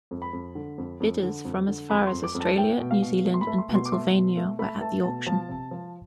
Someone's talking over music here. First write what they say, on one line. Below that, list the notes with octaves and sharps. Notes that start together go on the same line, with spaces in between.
Bidders from as far as Australia, New Zealand and Pennsylvania were at the auction.
F2
B5
F2
D3
F2
F2
D3
F2
D3
F2 B5
C6
F2
D6
F2
A5
A3 G5
B2
F5
B2
A3
C6
B5
A3
C6
B2
C6
D6
A3 C6
B2
A3
A3 B5
A3 A5
B2 A5
F3 A5
C3
F3